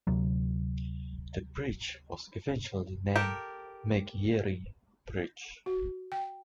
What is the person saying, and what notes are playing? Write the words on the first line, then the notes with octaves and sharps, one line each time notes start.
The bridge was eventually named Megyeri Bridge.
D2 C3 F#3
G4 A4 A#4
F#4
G5